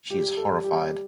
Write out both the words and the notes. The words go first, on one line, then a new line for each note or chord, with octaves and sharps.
She is horrified.
G3 G4
A4
G4